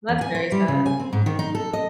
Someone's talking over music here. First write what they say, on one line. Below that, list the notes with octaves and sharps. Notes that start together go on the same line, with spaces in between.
That's very sad.
E2
G#5
C5
G3
C#3
G#5
C4
G#2
D#3
D#4
A4
D#5